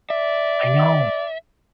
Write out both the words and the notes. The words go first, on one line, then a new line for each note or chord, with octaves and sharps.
I know.
D5 E5